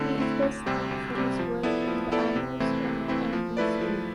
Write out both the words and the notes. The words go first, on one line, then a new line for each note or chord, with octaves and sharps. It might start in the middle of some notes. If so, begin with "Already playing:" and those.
He is best known for his work in the "Amos 'n' Andy" series.
Already playing: D3 A3 C4 E4
A3 C4 E4
D2
C3 G3 C4 G4
D2
C3 G3 C4 G4
F3
B3 E4 A4 D5
F3
B3 E4 A4 D5
C3
E3 A3 C4 E4
C3
E3 A3 C4 E4
F3
A3 E4 B4 D5
F3